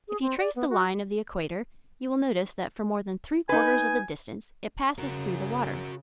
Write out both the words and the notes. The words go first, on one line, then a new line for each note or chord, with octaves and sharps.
If you trace the line of the equator you will notice that for more than three-quarters of the distance it passes through the water.
G#4
C4
D5
B3
F#4
D#4 B4 G#5
C#3 F#4 A#4